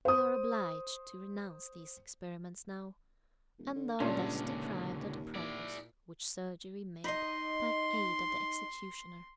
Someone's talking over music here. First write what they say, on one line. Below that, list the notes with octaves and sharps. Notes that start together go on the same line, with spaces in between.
We are obliged to renounce these experiments now, and are thus deprived of the progress which surgery made by aid of the executioner.
C5 D#6
E1
D3
C#2 G2 A#2 D3 C#4 A5
D#2
E4 D5
D#4 D#5 C6